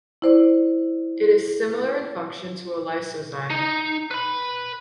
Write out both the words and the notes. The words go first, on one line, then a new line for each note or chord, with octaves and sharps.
It is similar in function to a lysozyme.
E4 C5 D5
D#4
B4 B5